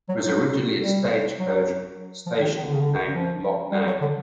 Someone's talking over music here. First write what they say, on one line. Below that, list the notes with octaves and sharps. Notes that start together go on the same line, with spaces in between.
It was originally a stagecoach station named Locknane.
F#3
F#3
G3
F#3
F3
D#3
D#3
D3
C#3
D3
F3
G3
F#3
D3